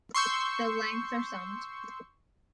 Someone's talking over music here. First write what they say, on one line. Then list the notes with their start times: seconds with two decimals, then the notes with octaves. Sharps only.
The lengths are summed.
0.14 C6 C#6 E6 G6